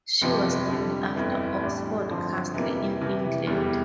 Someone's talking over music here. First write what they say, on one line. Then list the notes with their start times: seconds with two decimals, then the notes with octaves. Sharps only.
She was named after Oxford Castle in England.
0.21 G1 F2 C3 F3
0.68 F2 D3 G3
1.15 G1 F2 E3
1.61 A1 A2 G3 D4
2.07 G2 D3 F3 C4
2.54 F2 C3 E3 G3 A#3
3.01 C2 C3 E3
3.47 F1 E2 C3 G3